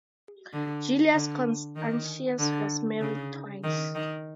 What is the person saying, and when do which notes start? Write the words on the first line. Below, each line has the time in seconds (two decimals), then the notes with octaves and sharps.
Julius Constantius was married twice.
0.53 D3
1.14 D3
1.76 D#3
2.38 D3
3.01 C#3
3.64 D#3
3.95 D#3